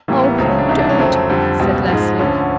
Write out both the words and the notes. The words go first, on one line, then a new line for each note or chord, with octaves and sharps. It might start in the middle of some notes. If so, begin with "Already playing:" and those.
"Oh, you don't," said Leslie.
A2 E3 G3 A#3
B3
C#2 C#3 F#3 A3 C4
C#4
D4
C2 C3 E3 D#4
D4
C#4
F2 C#3 F#3 A3 C4
F2 D3 G3
C#2 B2 G3
G#2 F3 G#3
D2 D3 F3 C#4